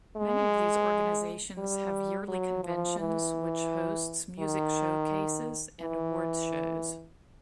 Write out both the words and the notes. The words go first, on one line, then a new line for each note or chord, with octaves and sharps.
Many of these organizations have yearly conventions which hosts music showcases and awards shows.
G#3
G3
F#3
F3
E3
D#3
E3